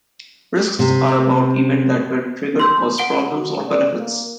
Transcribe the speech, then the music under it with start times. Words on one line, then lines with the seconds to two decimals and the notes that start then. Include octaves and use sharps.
Risks are about events that, when triggered, cause problems or benefits.
0.79 C3
2.59 C6 E6 G6
2.98 F#5 D7 G7
3.32 F#4
3.68 D5
3.98 A#3